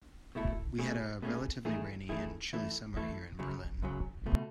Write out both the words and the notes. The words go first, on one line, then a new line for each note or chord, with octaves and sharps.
We had a relatively rainy and chilly summer here in Berlin.
B2 A3 E4 A4
B2 A3 C#4 G#4
B2 A3 C#4 G#4
E2 D#3 A3 E4 G#4
E2 D#3 A3 E4 G#4
E3 A3 E4
E3 A3 E4
F#2 C#3 F#3
F#2 C#3 F#3
C#2 B2 A3